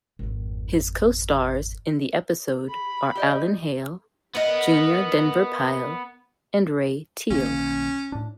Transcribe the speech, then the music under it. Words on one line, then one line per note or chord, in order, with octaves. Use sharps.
His co-stars in the episode are Alan Hale, Junior Denver Pyle, and Ray Teal.
G#1 F2
B5
G4 D5 D#5
B3 A#4 D#5 F#5
B1 D#3 A#3 C#4
A2 D4